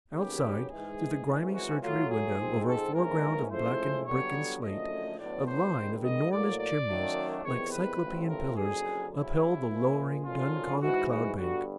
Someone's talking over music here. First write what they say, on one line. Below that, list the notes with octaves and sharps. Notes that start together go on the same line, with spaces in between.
Outside, through the grimy surgery window over a foreground of blackened brick and slate, a line of enormous chimneys like Cyclopean pillars upheld the lowering, dun-coloured cloud-bank.
D#2 C#3 F#3 B3 G4
G#2 E3 G#3 G#4
G#1 G#2 E3 G#3 C#4
F#4
A2 F#3 A3 F4
G#4
G#2 F3 G#3 C4
A4
A#1 G#2 E3 G#3 C#4 A#4
A2 F3 G#3 C#4 E4 C5
G1 G2 D3 F#3 B3 C#5
F#1 F#2 D3 F3 A3 D#5
A2 F#3 B3 D4 D5
C5
G#1 G2 D#3 G#3
D#5
A2 F#3 A#3 D5
D5
F#2 D#3 F#3 A3 D4
E2 C3 D#3 C#5
B4
A1 A2 F3 A3 C4
A#4
F#1 F2 D3 F#3 G#4
D2 C#3 F#3 E4
A#2 F3 G#3
G#1 F#2 D3 F3 G#3 F4
G#2 E3 G#3 F#4
F#4
G1 G2 D3 F#4